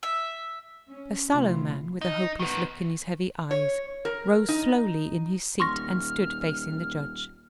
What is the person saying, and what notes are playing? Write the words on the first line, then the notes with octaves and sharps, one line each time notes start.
A sallow man with a hopeless look in his heavy eyes rose slowly in his seat and stood facing the judge.
E5
C#4
D2 C3 F3 E4 F4
D#4
D#3 B3
C#5
A#4
D#4
D#1 C6 C#6 F6 A#6